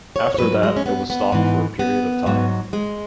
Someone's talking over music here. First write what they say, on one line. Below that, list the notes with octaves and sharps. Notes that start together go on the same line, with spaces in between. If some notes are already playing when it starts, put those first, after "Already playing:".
After that, it was stopped for a period of time.
C#5
C#5
G#2 F#3 B4
G#3
C#4
B3
B3
G#2 E3
B3
G#2 F#3
G#3